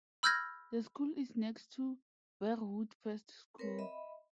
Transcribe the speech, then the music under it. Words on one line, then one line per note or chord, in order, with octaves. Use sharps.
The school is next to Verwood First School.
B5 E6 F6 G6 G#6 A#6
C4 A#4 B4 C#5
D#5 E5 B5